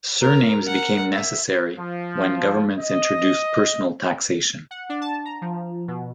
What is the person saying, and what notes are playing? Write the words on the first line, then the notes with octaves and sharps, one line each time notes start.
Surnames became necessary when governments introduced personal taxation.
A#4 A#5
A#4 F#5
E5
F3
D#5
F#5
D4
A5
A#5
F3
B2